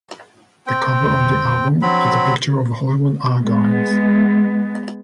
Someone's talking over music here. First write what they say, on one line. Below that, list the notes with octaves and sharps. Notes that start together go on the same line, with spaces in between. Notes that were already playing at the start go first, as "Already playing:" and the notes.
The cover of the album is a picture of The Hollywood Argyles.
C4 G5
F2 D3 D#3
F3 F#3 C4 D4 B5
G#3 B3